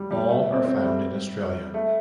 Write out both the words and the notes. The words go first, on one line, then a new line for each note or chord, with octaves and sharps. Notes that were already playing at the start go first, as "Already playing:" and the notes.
All are found in Australia.
Already playing: G3
G3
A3
A3
C4
C4
A3
G3
A3